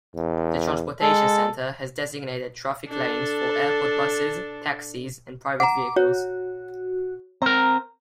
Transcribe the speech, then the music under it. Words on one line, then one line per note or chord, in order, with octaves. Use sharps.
The transportation centre has designated traffic lanes for airport buses, taxis and private vehicles.
E2
G#3 A4
D4 A4
F#5 A#5 D6
F#4 C#5
C4 A#4 A#5